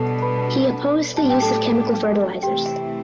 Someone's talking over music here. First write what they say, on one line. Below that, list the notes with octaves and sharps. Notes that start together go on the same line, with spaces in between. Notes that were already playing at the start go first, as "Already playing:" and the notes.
He opposed the use of chemical fertilizers.
Already playing: B2 G3 B3 D4 A4 A5
B4 B5
A2 F#3 B3 D4 G4 A5
G5
A4 A5
C3 E3 A3 C4 E4 G4 G5